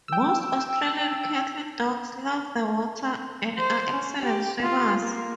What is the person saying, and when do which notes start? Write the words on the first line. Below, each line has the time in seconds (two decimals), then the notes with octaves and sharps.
Most Australian Cattle Dogs love the water and are excellent swimmers.
0.08 G5 E6
3.57 C5
3.91 C#4
4.22 G4
4.62 F4
5.02 A#3